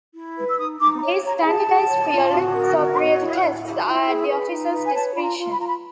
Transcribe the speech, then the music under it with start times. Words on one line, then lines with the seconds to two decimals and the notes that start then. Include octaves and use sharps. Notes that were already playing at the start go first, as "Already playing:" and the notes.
These "standardized field sobriety tests" are at the officer's discretion.
0.14 E4
0.37 B4
0.49 E6
0.58 D#4 D#6
0.80 D#4 D6
0.98 B5
1.01 C#5 A#5
1.24 C#5 A#5
1.40 G#5
1.45 G#4 A5
1.68 G#4
1.89 C#5
2.11 F4
2.32 F#4
2.54 A#4
2.77 F#4
2.97 C#5
3.20 E4
3.42 E4
3.63 E4
3.85 E4
4.07 G#4
4.29 B4
4.51 D#4
4.71 B4
4.85 G#5
4.93 C#5 A5
5.15 F4 B5
5.23 A#5
5.38 F4
5.52 B5
5.58 F4 A#5
5.66 B5